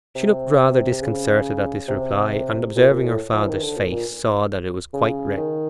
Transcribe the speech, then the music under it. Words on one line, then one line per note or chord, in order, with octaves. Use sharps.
She looked rather disconcerted at this reply, and observing her father's face, saw that it was quite red.
C3
C3
C#3
C3
A#2
A#2
A2
F3
E3
D#3
D3
A#2
A#2
C#3
D#3